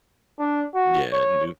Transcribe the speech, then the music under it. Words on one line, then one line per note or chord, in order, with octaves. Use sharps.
Yeah, new
D4
F#4
C#5